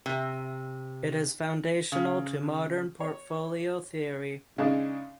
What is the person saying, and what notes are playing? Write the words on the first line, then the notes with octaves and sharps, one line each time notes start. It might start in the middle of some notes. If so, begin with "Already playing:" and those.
It is foundational to Modern portfolio theory.
C3
C#3
C#5
C#3 G#3 D4 D#4